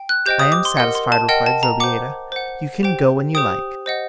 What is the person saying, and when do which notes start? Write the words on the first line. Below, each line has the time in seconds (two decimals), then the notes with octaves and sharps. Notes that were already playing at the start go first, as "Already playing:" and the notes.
"I am satisfied," replied Zobeida; "you can go when you like."
Already playing: G5
0.09 F#6
0.26 G4 C5 D#5 G5 G6
0.39 D#6
0.52 D6
0.65 C6
0.77 A#4 D#5 F#5
0.95 C6
1.12 A5
1.29 A#4 D#5 F#5 G5
1.46 A5
1.63 A#5
1.80 C5 F#5 D6
2.32 C5 F#5
2.83 G4 C5 G5
3.35 G4 C5 G5 D#6
3.86 C5 D#5 F#5